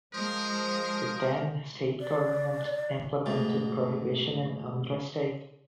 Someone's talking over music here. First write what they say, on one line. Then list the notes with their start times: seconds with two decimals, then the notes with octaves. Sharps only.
The then state government implemented prohibition in Andhra State.
0.13 F3 G#3 A#4 C5 D#6
2.01 D5
3.26 D2 G#2 B2